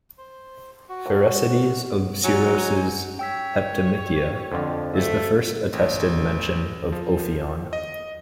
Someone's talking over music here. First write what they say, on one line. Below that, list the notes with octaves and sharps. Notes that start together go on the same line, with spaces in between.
Pherecydes of Syros's "Heptamychia" is the first attested mention of Ophion.
C5
F#4
F#3 G#3 D#4 G#5
C#5 G5 E6 B6
F2 D3 F3
A3 E5
A1
A1
F3
D#5